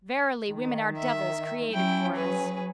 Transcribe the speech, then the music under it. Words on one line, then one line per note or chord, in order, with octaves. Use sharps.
'Verily women are devils created for us.
D#3
E5
F#3 C#4 E4 G5
G#4 B4